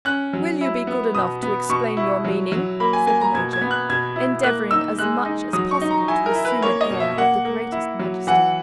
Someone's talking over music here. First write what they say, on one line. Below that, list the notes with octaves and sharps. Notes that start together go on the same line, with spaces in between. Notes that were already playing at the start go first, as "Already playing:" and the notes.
"Will you be good enough to explain your meaning?" said the major, endeavoring as much as possible to assume an air of the greatest majesty.
C#4 F#6
F#3
E4
B3
B2 D#6
B3
B2 C#6
E4
F#3
F#3
A#3 B5
G#5
A#3 G#5
A#5
B2 G#6
G#6
B3
F#6
B2 G#6
E4
A#3 F#6
D#4 E6
G#3 F#6
D#4
F#3 D#6
C#6
D#4
A#5
E4 G#5
A#4
E4
B4
A#3 C#5
D#5
B2
E5
A#3 F#5
A#3
E4
F#3
E3 F#5